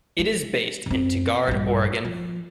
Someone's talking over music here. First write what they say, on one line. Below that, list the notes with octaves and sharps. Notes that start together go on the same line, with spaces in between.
It is based in Tigard, Oregon.
G#3
F#2 C4
A#1 G2
F3